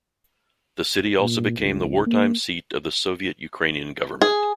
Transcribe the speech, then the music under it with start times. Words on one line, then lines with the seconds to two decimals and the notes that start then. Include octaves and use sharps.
The city also became the wartime seat of the Soviet Ukrainian government.
1.20 A#2
1.58 C#2
2.06 A#3
4.22 G#4